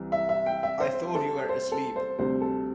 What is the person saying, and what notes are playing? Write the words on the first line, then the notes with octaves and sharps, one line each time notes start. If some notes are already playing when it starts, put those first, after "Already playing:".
I thought you were asleep.
Already playing: C2 C3 E3
E5
E5
G5
E5
C5
A4
C5
A4
C5
D2 C3 G3 C4 C5
A4